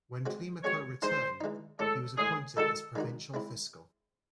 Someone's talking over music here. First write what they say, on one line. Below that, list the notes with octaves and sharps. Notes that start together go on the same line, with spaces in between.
When Climaco returned, he was appointed as provincial fiscal.
G#3 C4 F#4
G#3 C4 F#4 C#5
E3 G#3 D#4 C5
E3 G#3 D#4
A2 G#3 C#4 A4
A2 G#3 C#4 G#4
D#3 G#3 D#4 F#4 A4
D#3 G#3 D#4 F#4
G#3 C4 E4